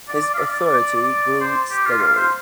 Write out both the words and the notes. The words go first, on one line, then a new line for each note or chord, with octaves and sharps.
His authority grew steadily.
D5
D5
F5
D5
D5
D5
D5
C5
G4
F4
F5
C5